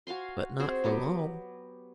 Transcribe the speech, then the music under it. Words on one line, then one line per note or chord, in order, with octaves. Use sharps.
But not for long.
F#4 F5 G#5 C6
C4 F#4 G#4 C5
F#3 B3 G4